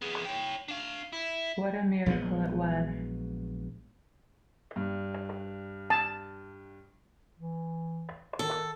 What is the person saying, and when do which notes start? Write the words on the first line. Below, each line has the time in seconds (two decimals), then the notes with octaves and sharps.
What a miracle it was!
0.02 B3 G#4
0.25 C#5 G5
0.68 D4 F5
1.13 E4
2.06 A#1 F#3 G#3 B3
4.76 G2
5.90 A5
7.39 E3
8.39 D#3 A4